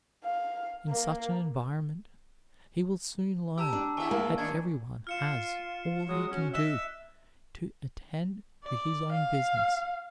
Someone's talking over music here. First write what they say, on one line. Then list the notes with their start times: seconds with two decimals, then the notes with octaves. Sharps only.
In such an environment he will soon learn that everyone has all he can do to attend to his own business.
0.25 F5
0.89 A#3
3.58 G4 A5 A#5 E6
3.73 D4
3.97 E2 E3 E5 G#5 C#6
4.11 A#3
4.38 G2 D#3 D4 G#6
5.07 F4 F6 C#7 E7
6.08 F#3 G#3 D#6
6.31 C#4 F#4
6.54 D#5 E5 E6 F#6 E7
8.64 D5
9.12 F5